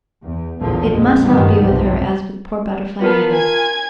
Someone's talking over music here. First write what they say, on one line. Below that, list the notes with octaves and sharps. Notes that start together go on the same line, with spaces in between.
It must not be with her as with poor butterfly Ruby.
E2
A#1 E2 A#2 D3 F3
F2 A#2 G#3
G1 G2 B2 D#3 G3 B3
B1 F2 G#2 C3
B3 F4 A#4 A5
G#5 G#6